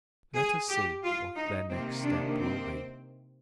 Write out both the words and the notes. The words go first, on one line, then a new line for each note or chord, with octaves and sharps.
Let us see what their next step will be.
G#4
G4
F4
D#4
C3 D#3 A#3 C4
D4
C4